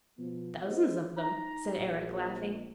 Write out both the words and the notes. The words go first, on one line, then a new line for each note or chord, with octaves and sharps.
"Thousands of them," said Eric, laughing.
B2 F3 B3
C#4 D#4 F4 G#4 C5 D#5
D#4 A#5
A#1